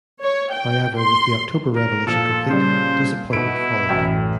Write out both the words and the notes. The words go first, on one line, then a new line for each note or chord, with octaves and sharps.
However, with the October Revolution complete, disappointment followed.
C#5
G5
C6
A#4
A#2 F3 A4
C#3 G3 C5
B2 E4 D7
A1 F#2 G5